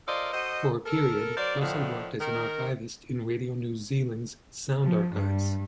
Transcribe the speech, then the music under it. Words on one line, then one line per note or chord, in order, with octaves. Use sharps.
For a period Russell worked as an archivist in Radio New Zealand's Sound Archives.
F4 A4 A#4 C5 D5 D#5
F#4 A4 C5 D#5
A4 A#4
F#3 A#4 C5 D5
A2 D3 D#3 F3
D#3 A#4
F3
G2